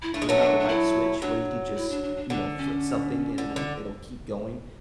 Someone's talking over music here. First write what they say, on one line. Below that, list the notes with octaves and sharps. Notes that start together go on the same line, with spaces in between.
we're not a light switch where you can just, you know, flip something and it'll it'll keep going,
E4
A3 D4
G#3
F#3 A3
C#4
D4
D4
E4
F#3 D4
E4
D4
D4
D4
D3 D4
C#4
D3
D3